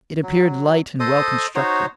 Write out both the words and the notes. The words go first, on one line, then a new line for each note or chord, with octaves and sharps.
"It appeared light and well constructed."
F#3
A4 C5 D#5 D#6
D#4 F#4 C5 C#5